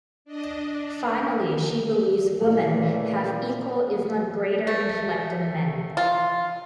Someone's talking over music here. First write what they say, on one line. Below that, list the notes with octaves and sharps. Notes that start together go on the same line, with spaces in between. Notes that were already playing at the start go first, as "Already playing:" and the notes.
Finally she believes women have equal if not greater intellect than men.
D4 D#5
D4
A#2 C#3 E3 A3
A3
F4